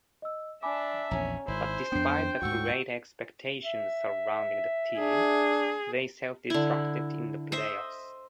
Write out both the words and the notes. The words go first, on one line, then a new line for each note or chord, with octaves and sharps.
But despite the great expectations surrounding the team, they self-destructed in the playoffs.
D#5 E6
D4 E5 G#5 A5 B5 D6
A#1 E2 C#4 G#5 A#5
G#1 E4 C5
F2 B3 D4 G5 C7
D2 G#2 F#4 F#5 C#6 E6
E5
D4 G#4
D3 E4
C5 D#5 E5